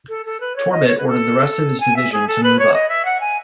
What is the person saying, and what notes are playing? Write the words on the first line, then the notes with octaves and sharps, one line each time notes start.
Torbert ordered the rest of his division to move up.
A4
A4
B4
C#5
D#5
C#5
B4
A4
G#5
E5
G#4
A4
B4
C#5
D#5
E5
F#5
G#5